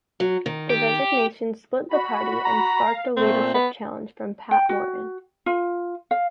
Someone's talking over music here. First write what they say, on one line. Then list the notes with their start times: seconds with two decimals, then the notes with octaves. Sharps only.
The resignation split the party and sparked a leadership challenge from Pat Morton.
0.20 F#3
0.46 D#3
0.70 G4
1.89 F#4 B5
2.45 A#5
2.86 F5
3.17 A#2 A3 C4
3.54 B3
4.51 G5
4.69 F#4
5.46 F4
6.11 F5